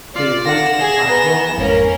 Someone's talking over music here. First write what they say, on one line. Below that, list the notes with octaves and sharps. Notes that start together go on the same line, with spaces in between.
They approached the plateau.
F4 D5
F5 F#5 A#6 E7
G#4
B3 B4 G#5 A#5
G#1 F2 G#2 A#3 C#4 A#4